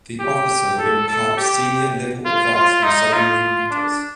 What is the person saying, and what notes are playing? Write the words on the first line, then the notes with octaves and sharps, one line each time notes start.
The officer would impart senior level advice on submarine matters.
G4
A4
A4
G4
F4
F4
D#4
F4
D4